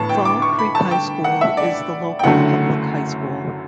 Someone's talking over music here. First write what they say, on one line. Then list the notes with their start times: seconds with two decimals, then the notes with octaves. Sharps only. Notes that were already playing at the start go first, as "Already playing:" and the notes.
Fall Creek High School is the local public high school.
Already playing: A1 A2 E3 B3 A5 C#6
0.09 G5
0.25 D6
0.42 C#6
0.59 B5
0.75 A5
0.91 G5
1.24 F#5
1.41 E5
1.57 D5
2.19 G5
2.23 F#1 F#2 D3 A3 F#5